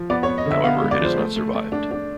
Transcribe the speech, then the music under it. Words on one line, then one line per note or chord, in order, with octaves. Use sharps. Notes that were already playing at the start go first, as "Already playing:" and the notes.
However, it has not survived.
Already playing: F3
B3 D5
C#5
B3
D#5
D3 E5
B3 F5
G#3
D5
F3 C5
A3
A3
A3
D4
D4